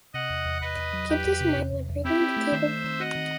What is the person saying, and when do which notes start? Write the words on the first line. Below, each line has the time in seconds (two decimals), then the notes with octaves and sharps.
Keep this in mind when reading the table below.
0.14 C3 D#5 F#5
0.30 E2
0.46 E2
0.62 E2 B4 D#5
0.77 E2
0.93 F#3
1.09 E2 G4 B4
1.25 E2
1.41 C3
1.57 E2
1.73 E2
1.89 E2
2.05 C4 E4 G4
2.21 C4
2.37 A3
2.52 D#3 C5 E5
2.68 A3
2.84 D#3
3.00 F#4 D#5 F#5
3.15 D#3